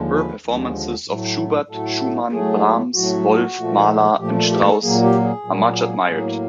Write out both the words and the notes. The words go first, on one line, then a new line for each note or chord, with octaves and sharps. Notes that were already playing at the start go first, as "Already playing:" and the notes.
Her performances of Schubert, Schumann, Brahms, Wolf, Mahler and Strauss are much admired.
Already playing: D#2 D3 F3 G#3
B4
D#2 D3 F3 G#3
A2 F#3 A3
A2 F#3 A3 A4
A2 F#3 A3 G#4
A2 F#3 A3 F#4
A#2 F3 A3
A#2 F3 A3 G4
A4
G4
A4
A#2 F#3 A#3 G#4
G4
G#4
A#2 F#3 A#3
A2 F#3 A#3